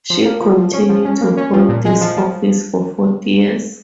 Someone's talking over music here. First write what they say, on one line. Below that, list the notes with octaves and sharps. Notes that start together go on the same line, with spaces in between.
She continued to hold this office for forty years.
F3
A#3
F3
F3
C#4
F3
C#4
A#3
C#4
F3
A#2
G#3
F3
F3